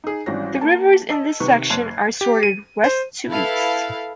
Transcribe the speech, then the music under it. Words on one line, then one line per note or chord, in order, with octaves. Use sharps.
The rivers in this section are sorted west to east.
D#4 G#4
G#1 E3 G3 C#4 A#6
A#3 A5
D#5 A5 E6
C3 D#3 B4 C#6
F#1 A5 C6 F#6 G#6 C7
G4
D#7
C5
E4 A4 B4 F5